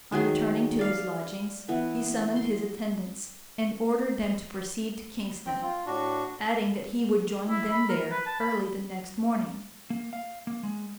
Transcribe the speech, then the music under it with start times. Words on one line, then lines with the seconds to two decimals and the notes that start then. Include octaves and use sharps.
On returning to his lodgings, he summoned his attendants, and ordered them to proceed to Kingston, adding that he would join them there early the next morning.
0.12 D#3 F#3 G#4
0.79 D5 F5
1.69 E3 B3
2.36 C6
5.46 C4 G5
5.62 F4
5.86 A2 D4 F#4
7.49 E4
7.71 B5
7.89 A#4
8.11 B4
8.26 A5
8.40 B5
9.90 A#3
10.13 F5
10.47 A#3
10.63 G#3